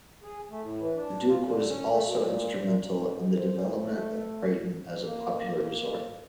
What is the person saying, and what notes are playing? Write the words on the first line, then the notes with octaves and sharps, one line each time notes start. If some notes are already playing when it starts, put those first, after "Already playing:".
The Duke was also instrumental in the development of Brighton as a popular resort.
G#4
A3
A2
E3
D4
F4
D3
C#4
A3
B2
A#2
A#2
G#2
C5
A3
A#3